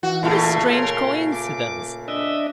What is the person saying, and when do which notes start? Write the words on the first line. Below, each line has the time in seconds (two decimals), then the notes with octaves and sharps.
What a strange coincidence.
0.03 E3 F#4
0.23 A#2 C#3 A3
0.71 A#4 C#5 C6
1.32 D6
2.08 D4 D#5 E5